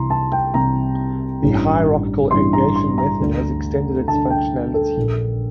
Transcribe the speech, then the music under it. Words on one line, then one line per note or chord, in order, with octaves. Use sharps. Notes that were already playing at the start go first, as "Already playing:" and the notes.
The Hierarchical Aggregation method has extended its functionality.
Already playing: C2 C3 E3 A#5 C6
A5
G5
C2 C3 E3 A#5
A1 G2 E3
A1 G2 E3 C6
A#5
C6
A#5
D2 D3
D2 D3 A5
G5
A4
A#1 A#2